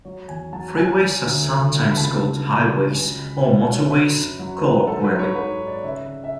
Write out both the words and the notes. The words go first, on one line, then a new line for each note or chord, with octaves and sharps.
Freeways are sometimes called highways or motorways colloquially.
F#3 C#5
E2 G#5
F#3 A5
F#3 G#5
F#3
D2
D3
F#3
B5
C#2 A5
C#2
F#3
C#2
C#2 G#5
C#2 B5
C#2 A5
C#5
F#3
C#5
F#3 B4
F#2
F#3
F#3
F#3 A4
B4
G#2
C#5
G#2 B4
G#2
D5
C#3 E5
C#3
E5